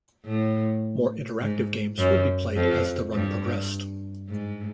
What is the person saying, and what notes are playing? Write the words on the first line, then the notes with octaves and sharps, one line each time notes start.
More interactive games would be played as the run progressed.
A2
G#2
F#2
F2
G2
G#2